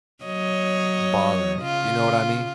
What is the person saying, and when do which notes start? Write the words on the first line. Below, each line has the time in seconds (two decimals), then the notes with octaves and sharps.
balling, you know what I mean?
0.24 F#3 C#5 D#5
1.61 C#3 F4